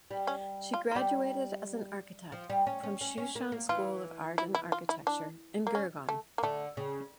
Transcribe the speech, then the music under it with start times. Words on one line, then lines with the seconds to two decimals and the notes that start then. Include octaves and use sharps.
She graduated as an architect from Sushant School of Art and Architecture in Gurgaon.
0.11 G3
0.27 C#4
0.74 F4
0.91 F4
0.95 G3 G4
2.32 F3
2.50 G3
2.67 C#4
2.83 C#4
3.01 C#4
3.18 C#4
3.35 A#3
3.52 A#3
3.69 E3 F4
4.38 E4
4.55 E4
4.72 F4
4.89 E4
5.07 D4
5.67 A#3
5.75 C#4
6.09 A3
6.38 A#3
6.43 D3 A3
6.77 C#3